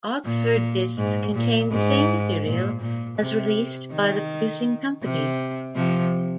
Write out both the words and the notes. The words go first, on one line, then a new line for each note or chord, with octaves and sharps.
Oxford discs contain the same material as released by the producing company.
A#2
G#2
A#2
G#2
A#2
A#2
C3
D#3
C3
C3 F3